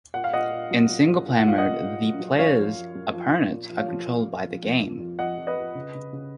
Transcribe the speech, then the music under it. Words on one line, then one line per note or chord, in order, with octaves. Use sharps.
In singleplayer mode, the player's opponents are controlled by the game.
A#2 F#5
F5
A#2 D#5 F#5
A#2
F#3
A#2
A#2
A#2
F#5
A#2 F5
D#5 F#5
A#2
A#2
F#3
F#3
F#2 C#5 F5
F3
F3
F#2
F3
F3
A#2
F3
C#5 F5
F3
F3
A#2
F3
F2
F3
F2
F2 D#5 F#5
F2
B4 D#5
F3
C#3
C#3
C#3